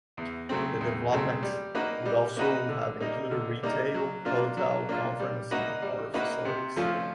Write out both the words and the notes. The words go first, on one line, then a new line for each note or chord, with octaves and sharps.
The development would also have included retail, hotel, conference and other facilities.
E2
C#3 F#3 A3 C4
E2
C#3 F#3 A3 C4
G3
A#3 D#4 F#4 B4
G3
A#3 D#4 F#4 B4
D3
G3 A#3 D#4
D3
G3 A#3 D#4
F#3
A#3 D4 F4
F#3
A#3 D4 F4
G3
A#3 D#4 F#4 B4
G3
A#3 D#4 F#4 B4
C3
F3 A3 C#4 F4